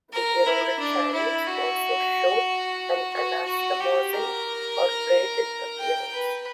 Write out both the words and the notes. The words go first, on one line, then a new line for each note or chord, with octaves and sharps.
The eroded channels also show an anastomosing, or braided, appearance.
A#4
E4
D4
E4
F#4
F#4
F#4
G4
A#4
G5
B4